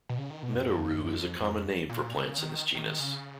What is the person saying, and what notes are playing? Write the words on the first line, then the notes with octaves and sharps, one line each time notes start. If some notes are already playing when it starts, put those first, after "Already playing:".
Meadow-rue is a common name for plants in this genus.
B2
C#3
D#3
B2
F#2
F#2
F2
F#2
F#2
F2
F2
A#2
C#3
D#3
D#3
D#3
C#3